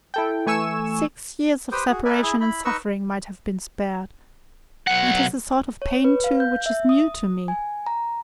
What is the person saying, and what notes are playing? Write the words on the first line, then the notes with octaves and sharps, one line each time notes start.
Six years of separation and suffering might have been spared. It is a sort of pain, too, which is new to me.
E4 A4 G5
E3 A3 G#5 C#6 E6 E7
G4 B4 C5 G5 D#6
F#4 G#4
A#4 B4 D5 E5 G#5
E4 G#4
E4 B5
D#4 B4 D#5 C#6 E6
B1 F#5
C#5
B4
F5
G6
E5
D#6
G#5
A#5